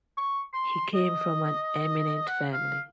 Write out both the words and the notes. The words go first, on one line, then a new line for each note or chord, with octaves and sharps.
He came from an eminent family.
C#6
C6
D#5
F#5
F5